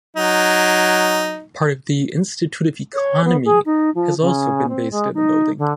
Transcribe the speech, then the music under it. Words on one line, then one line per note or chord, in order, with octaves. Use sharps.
Part of the Institute of Economy has also been based in the building.
F#3 D#4
C#5
B3
G#4
D#4
F3
C#3
C4
G#3
D#4
D3